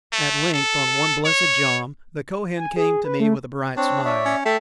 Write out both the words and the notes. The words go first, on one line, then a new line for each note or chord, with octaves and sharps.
At length on one blessed jom, the Kohen came to me with a bright smile.
A3
A4
C#5
G#5
G#4
B4
A3
C4 D4 C#5
C#5 D5 E5
C#4
A3 E5 G5 A5